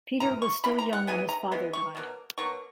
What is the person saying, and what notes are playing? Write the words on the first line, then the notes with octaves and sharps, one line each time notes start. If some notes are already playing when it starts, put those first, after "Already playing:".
Peter was still young when his father died.
C#3 E3 A#5
C#6
C#3 E3 A#3 B5
A#5
F#5
E3 G#3 B3 G#5
A#5
E3 G#3 B3
C#6
B2 F#3 A#3
B2 F#3 A#3 C#6